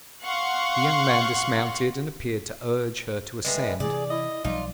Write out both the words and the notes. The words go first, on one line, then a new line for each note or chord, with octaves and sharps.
The young man dismounted, and appeared to urge her to ascend.
F5 F#5 C6 C#6
A2 G3 G#3 B4
C3 E3 G#4 D5
E4 D#5
B1 F3 G3 D#4 F4 D5